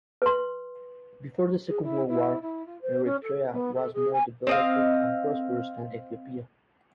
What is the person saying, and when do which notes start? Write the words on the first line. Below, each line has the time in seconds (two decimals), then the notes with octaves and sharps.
Before the Second World War, Eritrea was more developed and prosperous than Ethiopia.
0.22 B4 C6
1.67 G#4
1.82 E4
2.07 E4
2.41 E4
2.66 F4
2.81 C5
3.03 C#4
3.22 A4
3.51 B3
3.74 A4
3.93 G#4
4.12 G#5
4.47 C4 D#5 F5